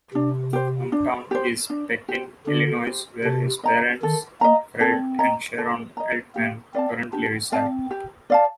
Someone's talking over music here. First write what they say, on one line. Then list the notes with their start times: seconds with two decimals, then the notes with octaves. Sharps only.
Hometown is Pekin, Illinois, where his parents, Fred and Sharon Altman, currently reside.
0.14 C3 D4
0.53 G4 C5
0.92 D4
1.31 G4 C5
1.70 D4
2.09 G4 C5
2.47 D3 D4
2.87 G4 C5
3.25 C3 A4
3.64 D#5 A#5
4.03 D#3 A4
4.41 A#3 D#5 A#5
4.80 C4 A4
5.19 D#5 A#5
5.58 A4
5.97 D#5 A#5
6.36 A#3 G4
6.74 C4 D5 F5 A5
7.13 D4 G4
7.52 C4 D5 F5 A5
7.91 G4
8.30 D5 F5 A5